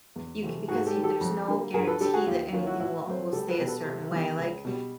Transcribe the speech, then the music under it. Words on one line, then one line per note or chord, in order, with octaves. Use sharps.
You can because you there's no guarantee that anything will will stay a certain way. Like,
E2
C3 E3 A3
G#2 F#4 G#4
G4 A4
D#3 G3
G4 A4
F2
D3 G3 A#3
G2 G#4 A#4
A4 B4
D3 G3 G4 A4
F#4 G#4
D#2 F4 G4
D#3 F#3 A#3 C#4 F4
E4 F#4
A2 E4 F#4
F#3 A3 C4
C#2 G4 A4
A4 B4
B2 G3 B3
A4 B4
C3
E3 G3 B3
C#2
B2 G3